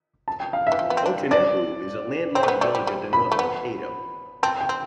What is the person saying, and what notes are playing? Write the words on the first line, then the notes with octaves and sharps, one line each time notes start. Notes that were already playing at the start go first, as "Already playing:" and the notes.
Otoineppu is a landlocked village at the north of Hokkaido.
A5
G5
F5
E5
E3
F3
B3
C4
D4
D4 D5
C4 C5
A3
B3
A3 D5
G3
G3
B5
A3
B3
C4 A5
G5
C4